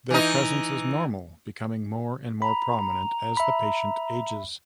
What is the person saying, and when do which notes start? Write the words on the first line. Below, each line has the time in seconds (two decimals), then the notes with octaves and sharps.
Their presence is normal, becoming more and more prominent as the patient ages.
0.10 E3 D#4
2.42 A#5 B5
3.37 E5 B5